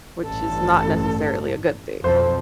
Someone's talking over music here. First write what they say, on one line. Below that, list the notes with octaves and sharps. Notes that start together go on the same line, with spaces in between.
which is not necessarily a good thing.
A1 G2 A4
B1 F2 A4 C5